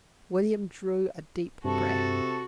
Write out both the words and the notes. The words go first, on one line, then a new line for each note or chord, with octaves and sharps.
William drew a deep breath.
G2 C3 F#4 A4 A5 C#6